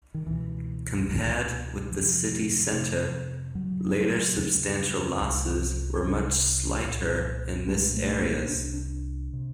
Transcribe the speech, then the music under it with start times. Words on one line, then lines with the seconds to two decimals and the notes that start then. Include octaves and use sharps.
Compared with the city centre, later substantial losses were much slighter in this areas.
0.14 D#3
0.26 C#2 B2 E3
1.08 C#2 B2
1.91 F2 C3 F3
2.73 F2 C3
3.55 D#2 C#3 F#3
4.38 D#2 C#3
5.20 C2 C3
6.02 C2 C3
6.84 C2 A#2
7.67 C2 A#2 G#3
7.94 A3
8.22 A#3
8.48 C2 C3 D4
8.74 D4
9.33 C3